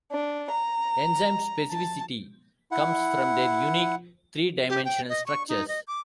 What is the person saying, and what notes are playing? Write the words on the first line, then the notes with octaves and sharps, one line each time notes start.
Enzymes' specificity comes from their unique three-dimensional structures.
D4
A#5
A5
E4 F#5
G4
G5
D#5
C#6
D#4
D#5
D6